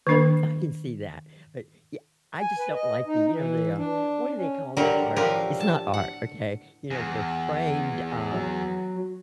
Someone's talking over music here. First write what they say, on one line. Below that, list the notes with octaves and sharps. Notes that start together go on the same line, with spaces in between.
Yep, I can see that, but, ye I just don't like the, you know, the, uh what do they call that art? It's not art, okay? You know, they're framed, uh,
D#3 A#3 D4 A#4
G#5
B4
D#5
D#4
E3
D4
C#4
D3 F#3 G3 G4 A#4
A2 F3 G4 A#4 B4
A5
F#5
E2
F#3